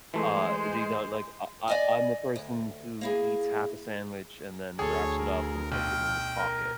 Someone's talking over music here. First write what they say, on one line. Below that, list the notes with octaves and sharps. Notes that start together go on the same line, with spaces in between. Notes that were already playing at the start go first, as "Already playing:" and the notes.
Uh, do you know like, I I I'm the person who eats half a sandwich and then wraps it up and puts it in his pocket.
E3 G#3 A3 C5
D5 D#5 G#5
D2
A#3 E4 G#4
D2 G#4 A4 C#5
A#4
B1 F5 G5
A#4